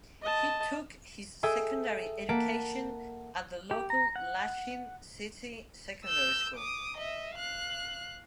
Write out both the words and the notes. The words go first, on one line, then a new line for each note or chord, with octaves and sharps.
He took his secondary education at the local Lachin city secondary school.
D#5 A5
G#4 A4 E5 G5
A#3 F#5 A5 B6 D7
G4
A#5
F#5
E6 G6
D6 D#6
D#5 E5
F5 F#6